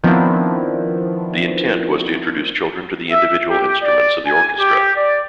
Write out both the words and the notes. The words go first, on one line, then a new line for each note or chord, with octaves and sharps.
The intent was to introduce children to the individual instruments of the orchestra.
D#3 F3 B3 C4 D4 E4
E5
G4
D5
G#5
G4
D5